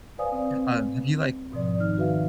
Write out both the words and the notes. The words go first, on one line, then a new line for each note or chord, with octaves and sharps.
um, have you like
B4 C5 D5 F5 G#5 D#6
C4
G#2 B2 F3 D5
D#3 D#4 F6
F#4 B4 E5 F5